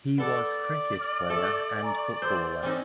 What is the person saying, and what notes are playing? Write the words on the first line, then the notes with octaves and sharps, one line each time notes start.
He was cricket player and footballer.
B3 A4 D5
F6
A4 E5 C#6
G#5 A#5 C#6
C5 C6 E6 G6
C4 C#4 D#4